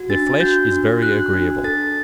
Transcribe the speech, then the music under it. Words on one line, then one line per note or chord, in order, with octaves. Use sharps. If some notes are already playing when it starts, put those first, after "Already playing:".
Their flesh is very agreeable.
Already playing: F#4
D4 A6
F#4 G6
D4
F#4 F#6
D4
A4 A6